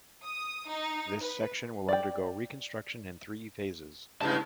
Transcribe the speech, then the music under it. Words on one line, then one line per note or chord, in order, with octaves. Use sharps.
This section will undergo reconstruction in three phases.
D#6
D#4
B4
D5 G5
G2 C#3 G#3 E4 A5